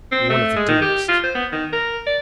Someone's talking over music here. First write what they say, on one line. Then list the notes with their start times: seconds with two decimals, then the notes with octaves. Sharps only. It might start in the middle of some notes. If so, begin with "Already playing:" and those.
One of the dearest.
0.12 C4
0.30 A3
0.56 G#3
0.69 D#3
0.82 G4
1.09 F4
1.24 C5
1.35 B3
1.52 D#3
1.73 A#4
2.07 D5